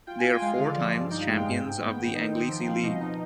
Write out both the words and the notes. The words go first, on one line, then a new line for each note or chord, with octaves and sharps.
They are four times champions of the Anglesey League.
F4 G5
G#5
F4
G5
G#3 F5
F5
D3
D5
F3
G2
D#4 G5
F5
G#3 G5
G#2
G#2
B3 G5
D#3
D#4
C4
F3 G5
F3 F5
F5
B2 D#5
D#4